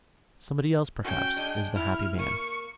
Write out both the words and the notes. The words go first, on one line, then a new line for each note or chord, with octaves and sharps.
"Somebody else, perhaps, is the happy man?"
C#4 F#4 G5
G#3 D4
E4 F6
A#3 C#6